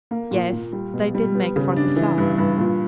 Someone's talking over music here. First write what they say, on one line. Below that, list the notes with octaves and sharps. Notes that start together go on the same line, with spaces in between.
Yes, they did make for the south!
A#3
A#2
A#2
G3
B2
G3
B3
C#3
D4
E3
G2
G2
A#2